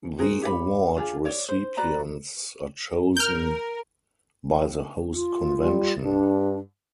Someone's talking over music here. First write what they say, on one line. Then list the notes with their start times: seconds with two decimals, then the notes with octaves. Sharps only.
The award recipients are chosen by the host convention.
0.19 F#4 G#4 A#4 C5
0.42 G4 C#5 D5 B5
0.97 D4 F4 G4 G#4
1.25 C#5 D5
1.49 C5
1.77 F#4 B4 D5 A#5
3.17 A#4 F6 G6
5.13 F4
5.62 G3
6.03 G2 D4